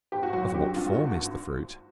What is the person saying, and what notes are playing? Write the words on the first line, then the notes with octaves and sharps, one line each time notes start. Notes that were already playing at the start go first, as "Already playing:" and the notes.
Of what form is the fruit?
G#1 G4
F#4
F#3 F#4
F#4
D3 G4
F#4
G2 F4
F#4
G#1